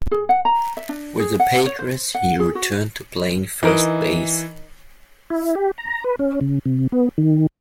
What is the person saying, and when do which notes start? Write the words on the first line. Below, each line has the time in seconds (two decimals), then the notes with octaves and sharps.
With the Padres, he returned to playing first base.
0.11 G#4
0.29 F#5
0.45 A#5
0.77 E5
0.89 D4
1.19 G#4
1.40 F#5
1.66 C#5
1.79 C5
2.15 F#5
2.40 G#4
2.55 F#4
3.63 E3 D#4 A#4 D#5
5.30 E4
5.55 G4
5.78 A#5
6.04 B4
6.19 C#4
6.41 C#3
6.66 C3
6.92 B3
7.18 D#3